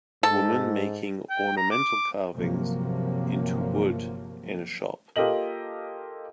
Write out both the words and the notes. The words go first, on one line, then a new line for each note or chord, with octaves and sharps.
Woman making ornamental carvings into wood in a shop.
G#2 A4
G5
A#5
D6
G1 C3 F3 F#3 A#3
A#3 F4 G4 A4 D#5 F#7